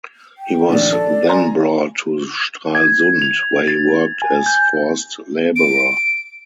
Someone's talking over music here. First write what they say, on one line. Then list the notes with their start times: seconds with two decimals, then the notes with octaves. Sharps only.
He was then brought to Stralsund where he worked as forced laborer.
0.38 G5
0.69 A#1 D#3 D5
0.93 A4
1.29 G#5 A#5 C6
2.75 G#6
3.22 F7
3.68 A6
4.22 G#5
4.46 G6
5.56 D7